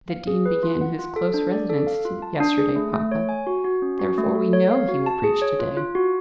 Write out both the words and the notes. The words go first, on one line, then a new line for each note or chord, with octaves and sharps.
"The dean began his close residence yesterday, papa. Therefore we know he will preach to-day."
F5
G#4
B4
F4
F#5
F4
A4
D4
D5
A4
F5
F4
A5
D4
G#4
A3
A3
C#5
G#5
F#4
F#4
C#4
F#4
A3
A4
C#5
F5
F#4
A5
G#4
C#5
F4
F4
F#4